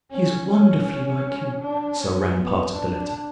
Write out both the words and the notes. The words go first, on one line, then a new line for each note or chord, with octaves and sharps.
"She is wonderfully like you," so ran part of the letter.
C#4
C#4
D4
C#4
B3
D4